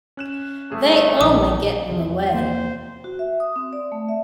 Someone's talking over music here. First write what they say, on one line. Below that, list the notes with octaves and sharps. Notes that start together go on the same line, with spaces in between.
They only get in the way.
C#4 F#6 E7
G1 A3 G#4
A#1 D#3 D#6
E2 C3 F3
A#3 C5
F#4
E5
D#6
C4
D5
A3
E5